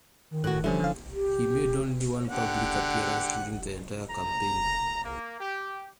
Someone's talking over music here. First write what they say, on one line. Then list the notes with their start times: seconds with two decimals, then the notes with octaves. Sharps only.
He made only one public appearance during the entire campaign.
0.31 D#3
0.44 A2 F#4 F#6
0.64 D3 E3 F3 G3 C#4 E4
0.80 E3 F5
1.13 G4
2.29 D3 G4 F#5
4.10 A#5
5.04 A#3
5.40 G4